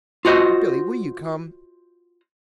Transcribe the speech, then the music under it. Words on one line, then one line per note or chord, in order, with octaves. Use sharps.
Billy, will you come?
F4 F#4 C5 D#5